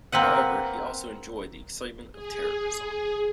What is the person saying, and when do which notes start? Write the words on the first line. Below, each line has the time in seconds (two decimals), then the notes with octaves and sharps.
However, he also enjoyed the excitement of terrorism.
0.12 A#3 C4 B4 F#5
2.12 G#4